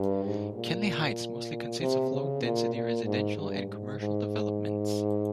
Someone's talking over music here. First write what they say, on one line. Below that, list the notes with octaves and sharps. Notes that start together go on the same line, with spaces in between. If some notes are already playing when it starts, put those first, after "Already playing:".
Canley Heights mostly consists of low-density residential and commercial developments.
Already playing: G2
G#2
A#2
C3
C#3
A#2
A#2
G#2
G2
G#2
G#2